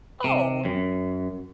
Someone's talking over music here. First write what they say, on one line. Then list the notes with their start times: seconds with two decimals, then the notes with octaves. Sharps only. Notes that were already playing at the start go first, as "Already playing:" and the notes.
Oh, it
0.24 C3
0.65 F#2